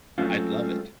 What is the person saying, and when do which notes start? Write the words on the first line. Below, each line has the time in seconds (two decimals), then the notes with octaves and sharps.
I'd love it.
0.18 F#3 G#3 A3 C4 C#4 F4